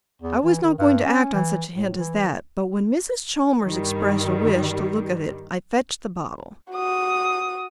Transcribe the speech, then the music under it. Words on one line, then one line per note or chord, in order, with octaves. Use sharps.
I was not going to act on such a hint as that, but when Mrs. Chalmers expressed a wish to look at it I fetched the bottle.
E2
E3
D#3
G2
C#4
E3
A2
E3
G2 D#3 G3
F#4 D#6